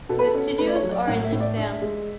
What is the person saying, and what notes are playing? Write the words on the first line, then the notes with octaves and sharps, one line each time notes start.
The studios are in Lucerne.
B2 A4
B4
A4
C#4
A3 B4
D5
C#5
F#3
D5
A2 F#5
E5
A2
D5
D4 E5
G#3